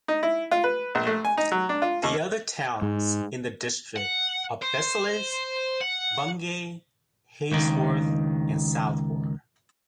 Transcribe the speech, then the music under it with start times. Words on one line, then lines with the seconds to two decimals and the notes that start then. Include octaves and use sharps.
The other towns in the district are Beccles, Bungay, Halesworth and Southwold.
0.08 D#4
0.23 E4
0.51 F4
0.64 B4
0.95 A#1
1.07 A3
1.25 G#5
1.37 D#4
1.52 F#3
1.69 D4
1.82 F4
2.03 D#2
2.82 G#2
3.96 F#5
4.62 C5
5.81 F#5
7.52 C#2 D#3